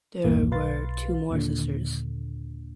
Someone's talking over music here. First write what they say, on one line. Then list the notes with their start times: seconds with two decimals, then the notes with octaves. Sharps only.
There were two more sisters.
0.24 A#1 E2 G2 A#2 A#3
0.51 B1 B4 F5 C6 A6
1.30 D#2 A#2 D3